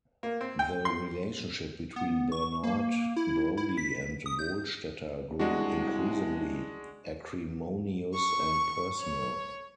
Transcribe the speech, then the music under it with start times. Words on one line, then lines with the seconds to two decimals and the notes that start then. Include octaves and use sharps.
The relationship between Bernard Brodie and Wohlstetter grew increasingly acrimonious and personal.
0.23 A#3
0.41 C4
0.59 G5
0.85 C6
1.96 B3
2.32 C#6
2.64 A#3
3.16 E4
3.57 E4
3.77 B6
4.26 D#6
4.39 G6
5.39 C2 G#3 D4 F#4
8.13 C#6
8.99 C#5